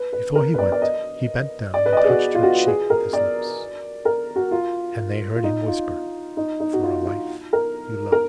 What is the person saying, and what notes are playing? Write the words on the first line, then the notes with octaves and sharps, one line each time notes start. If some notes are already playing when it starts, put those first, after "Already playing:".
Before he went, he bent down and touched her cheek with his lips, and they heard him whisper: "For a life you love!"
Already playing: B4
B4
A#4
B4
D5
D5
D#5
D5
B4
D#5
D5
G#4
F#4
F4
F#4
G#4
A#4
D5
A#4
F#4
F4
F4
D#4
F4
D#4
D#4
F#4
F4
F4
A#4
A#4